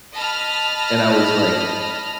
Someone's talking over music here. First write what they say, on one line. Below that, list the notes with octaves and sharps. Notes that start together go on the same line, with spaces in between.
And I was like
D#5 A5 B5 F6